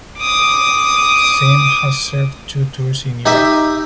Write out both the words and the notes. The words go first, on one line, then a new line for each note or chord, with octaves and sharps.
Syme has served two tours in Iraq.
D6 D#6
D#4 G4 D#5 E5